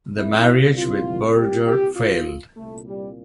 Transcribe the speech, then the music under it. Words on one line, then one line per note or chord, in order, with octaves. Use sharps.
The marriage with Berger failed.
C2 A#2 E4
F4
G4
G4
F4
C2 A#2 A3
G3